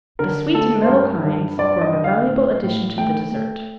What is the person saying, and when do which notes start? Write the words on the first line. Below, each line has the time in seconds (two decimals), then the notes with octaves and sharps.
The sweet and mellow kinds form a valuable addition to the dessert.
0.19 D3 A#4
0.54 A3 A4
0.82 C5
0.88 G2 A#4
1.23 G2
1.58 G2 D5
1.81 D#5
1.94 D3
2.04 F5
2.28 A2
2.63 A2
2.98 A3 G5
3.32 A3